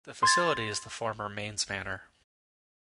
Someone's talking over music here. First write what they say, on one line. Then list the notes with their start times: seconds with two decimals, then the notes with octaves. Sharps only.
The facility is the former Mains Manor.
0.23 C6 G#6 A6